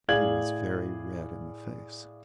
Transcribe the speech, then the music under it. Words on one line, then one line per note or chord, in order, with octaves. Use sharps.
He was very red in the face.
A2 G#4 D5 F5 G#6 F#7